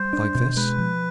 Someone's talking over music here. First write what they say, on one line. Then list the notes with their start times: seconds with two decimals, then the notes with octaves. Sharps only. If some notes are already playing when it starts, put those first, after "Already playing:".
"Like this?"
Already playing: G3 C5
0.13 D4
0.35 B2
0.57 G#3 B4
0.78 F3